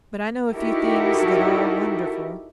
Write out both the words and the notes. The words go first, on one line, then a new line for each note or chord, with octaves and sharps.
But I know a few things that are wonderful.
D#4 E4 F#4 G4 A4 A#4